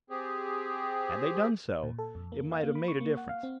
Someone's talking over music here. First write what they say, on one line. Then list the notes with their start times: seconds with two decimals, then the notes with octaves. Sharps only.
Had they done so, it might have made a difference.
0.10 C4 G4 G#4
1.83 A#2
1.99 A4
2.15 F2
2.32 A#3
2.51 F5
2.63 A#3
2.75 B5
2.88 C#6
3.00 A#3
3.17 F#5
3.29 F5
3.43 C4